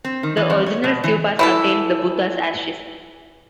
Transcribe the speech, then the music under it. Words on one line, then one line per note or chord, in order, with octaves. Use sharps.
The original stupas contained the Buddha's ashes.
C4
D#3
E3
F2
C#5
B2
E3
E3 E4 A4